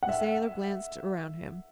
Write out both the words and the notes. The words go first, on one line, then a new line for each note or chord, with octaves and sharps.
The sailor glanced around him.
F#5
E5